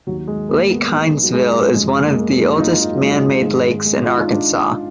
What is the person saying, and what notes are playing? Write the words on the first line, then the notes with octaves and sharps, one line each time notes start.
Lake Hindsville is one of the oldest man-made lakes in Arkansas.
D#2 D#3 F#3
G#3
A#3
B3
D#4
F#3
G#3
F#2 F3 G#3
A#3
G#3
A#3
F#3
D#4
F4
D#4
F#3
G#3
G#2 D#3 G#3
G#3
F4
D#4
D4